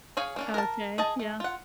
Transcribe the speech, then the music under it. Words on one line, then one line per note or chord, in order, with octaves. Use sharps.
Okay, yeah.
G#4 C#5 F5 G#5
A#3 C#4 D4
A#4 A5
G#4 D#5 A5
A3
F4 F#5